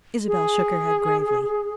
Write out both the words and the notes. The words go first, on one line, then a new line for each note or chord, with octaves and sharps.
Isabel shook her head gravely.
G#4